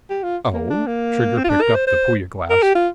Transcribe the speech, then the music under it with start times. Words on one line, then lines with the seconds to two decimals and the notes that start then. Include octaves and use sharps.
"Oh?" Trigger picked up the Puya glass.
0.10 G4
0.24 F4
0.53 A#3
0.70 D4
0.87 A#3
1.37 C4
1.44 F4
1.49 D4
1.62 A#4
1.75 C5
1.87 C5
2.50 A#4
2.63 G4
2.75 F4